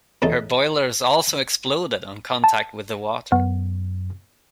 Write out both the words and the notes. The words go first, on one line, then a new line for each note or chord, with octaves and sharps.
Her boilers also exploded on contact with the water.
E2 C#3 A3 D#4 A4
A5
F#2 B3